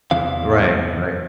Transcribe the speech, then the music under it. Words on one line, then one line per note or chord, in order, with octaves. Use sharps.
Right, right.
E2 C3 E3 F5